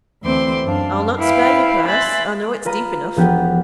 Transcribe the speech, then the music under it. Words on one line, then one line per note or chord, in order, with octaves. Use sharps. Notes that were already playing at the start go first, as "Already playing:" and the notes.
I'll not spare your purse,--I know it's deep enough.
D2 E3 C4 C5 C6 D6
F#2 D4 F5
E4 B4 F5 G5
E5 G#5 B5 C6 F#6 A6
F4 B4 A#5 D#7
E1 F3 B3 G4 F#5